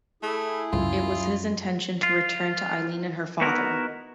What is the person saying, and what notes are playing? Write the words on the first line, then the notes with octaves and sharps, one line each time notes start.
It was his intention to return to Eileen and her father.
A3 E4 G#4
C#2 F#2 F4
F4
B3 D#4 E4 F#4 A#4